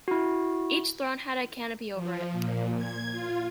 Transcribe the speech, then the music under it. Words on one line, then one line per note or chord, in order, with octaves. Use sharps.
Each throne had a canopy over it.
E4 F#4
F3
A#2
G#6
F4